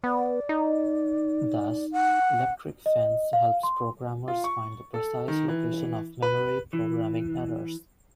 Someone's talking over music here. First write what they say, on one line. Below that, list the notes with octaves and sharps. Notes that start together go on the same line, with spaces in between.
Thus, Electric Fence helps programmers find the precise location of memory programming errors.
B3 D5
D#4
F#5
D#5
F5
C6
F4
C#6
A4
D#3
E3
B4
E3